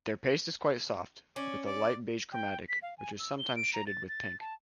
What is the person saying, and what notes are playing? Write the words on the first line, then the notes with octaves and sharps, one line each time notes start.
Their paste is quite soft, with a light beige chromatic, which is sometimes shaded with pink.
C#4 D5
D5
G5
B6
F5
G#5
E6
G7
D7
A#5
A6
A6
A5